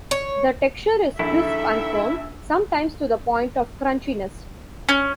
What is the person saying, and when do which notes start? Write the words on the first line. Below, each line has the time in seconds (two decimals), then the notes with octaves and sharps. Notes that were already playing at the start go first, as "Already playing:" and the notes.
The texture is crisp and firm, sometimes to the point of crunchiness.
0.11 C#5
1.19 A#1 D#4 E4 A4 E5
4.89 C#4